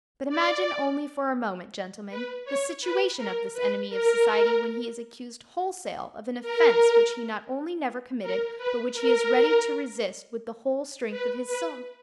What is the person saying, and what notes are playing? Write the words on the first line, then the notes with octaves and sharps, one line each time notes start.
But imagine only for a moment, gentlemen, the situation of this enemy of society when he is accused wholesale of an offence which he not only never committed, but which he is ready to resist with the whole strength of his soul.
D5
B4
C#5
B4
A#4
B4
A#4
A#4
A#4
B4
A#4
B4
B4